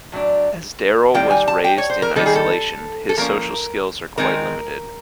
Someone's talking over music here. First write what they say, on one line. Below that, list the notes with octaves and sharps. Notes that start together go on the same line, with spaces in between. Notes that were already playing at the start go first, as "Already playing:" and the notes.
As Daryl was raised in isolation, his social skills are quite limited.
A2 F#3 D4
D#3 G3 C4 G5
G#5
A5
G5
C#5
C5
A#4
D#3 G3 A#3 D#4 A4
G#4
A4
A4
F3 A#3 C#4 A#4
D#3 G#3 C4 D#4 A#4